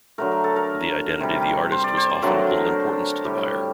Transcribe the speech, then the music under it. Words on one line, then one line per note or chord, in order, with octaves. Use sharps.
The identity of the artist was often of little importance to the buyer.
D3 F#3 A3 A#4
A#4
A4
A#4
C3 G3
C5
D5
C5
D5
D3 F#3 A3 A#4
A2 G3 G4